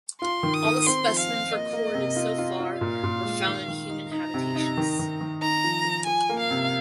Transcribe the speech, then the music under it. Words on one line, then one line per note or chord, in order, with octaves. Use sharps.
All the specimens recorded so far were found in human habitations.
F4 C6
D#3
D#6
D#3
C4 C6
F3
F5
F4
A#3 D#5
A#3
C3
F4
F4
F4
A#2 F5
A#2
G#3
D#3
D#3
D#4
D#4 A#5
C3
D#4
D#3
D#3
D#3
D#4 A#5
F3
F3
F3 G#5
A#3
F5
C3